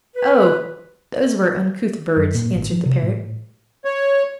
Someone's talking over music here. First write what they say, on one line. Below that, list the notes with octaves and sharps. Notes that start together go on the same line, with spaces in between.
"Oh! those were uncouth birds," answered the Parrot.
B4
F#2
A#2
G#1
F3
C3
A2
C#5